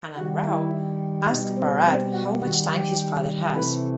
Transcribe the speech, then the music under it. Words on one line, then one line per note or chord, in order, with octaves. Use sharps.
Anand Rao asks Bharath how much time his father has.
D#3 G3 F#4
E4
B2 G3 D#4
C4
C4
F#4
D#3 G3 F#4
G4
C3 E3 A3 B4